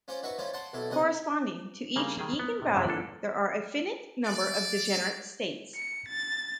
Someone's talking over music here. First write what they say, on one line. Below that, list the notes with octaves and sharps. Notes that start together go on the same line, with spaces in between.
Corresponding to each eigenvalue there are a finite number of degenerate states.
C#4 F4 C5 D5
D#4 F#4 B4 E5 C#6
F3 C#4 E4 F4 D5
D5 F#5 A5 C6
B1 F#3 E4 A4
C2 D#5 F#5 G#5 D#6
C#3 G3 A#3
D#3 G3 G#4 A#4
B3
G#2 C3
F#2 C3 F3 F#3 G#4 E5
A#3 D4 A4
D5
C#7
A6